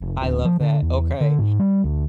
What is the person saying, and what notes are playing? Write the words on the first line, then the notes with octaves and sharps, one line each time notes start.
I love that, okay.
F1
D1
F3
D3
E2
D3
G#2
G3
D2